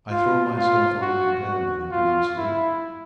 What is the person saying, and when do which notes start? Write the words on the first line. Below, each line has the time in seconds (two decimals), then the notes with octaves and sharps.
I throw myself on my bed; but I cannot sleep.
0.11 F4
0.56 F4
1.02 F#4
1.47 F#4
1.92 F4
2.37 E4